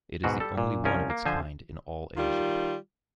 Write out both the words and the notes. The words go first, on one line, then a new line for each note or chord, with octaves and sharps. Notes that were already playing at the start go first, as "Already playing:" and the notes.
It is the only one of its kind in all Asia.
G#2 B2 F#4
G3 A4
A#2
C2 F3 C#4 A#4
A#3
D3 F3 C5 G#5
D#3 G3 F4